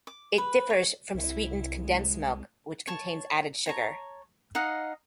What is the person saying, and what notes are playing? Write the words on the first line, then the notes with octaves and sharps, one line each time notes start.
It differs from sweetened condensed milk, which contains added sugar.
D6
B4
C#5
C2 E4
G#3
C#5 A5
C#5 A5 A#5
D#4 D#5 F5 F#5